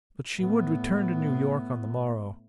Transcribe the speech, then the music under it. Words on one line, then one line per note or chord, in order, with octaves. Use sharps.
But she would return to New York on the morrow.
A2 B3